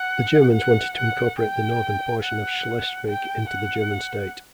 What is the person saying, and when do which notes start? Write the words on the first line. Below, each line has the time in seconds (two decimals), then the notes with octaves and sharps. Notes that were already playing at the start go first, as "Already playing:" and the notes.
The Germans wanted to incorporate the northern portion of Schleswig into the German state.
Already playing: F#5
0.53 F#5
0.97 F#5
1.39 G5
2.23 F#5
3.07 G5
3.50 F#5